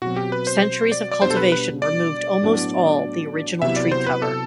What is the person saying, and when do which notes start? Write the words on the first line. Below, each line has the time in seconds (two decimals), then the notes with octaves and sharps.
Centuries of cultivation removed almost all the original tree cover.
0.02 B2 F#3 C4 F#4
0.16 G4
0.32 B4
0.47 C5
0.62 C5
0.92 D5
1.11 D5
1.22 B2 G3 B3 D4 G4 C5
1.30 A4
1.37 B4
1.52 B4
1.82 D5
2.42 A2 F#3 B3 D4
3.62 C3 F#3 B3 E4 G4 E5
3.76 D5
3.92 C5
4.07 B4
4.22 A4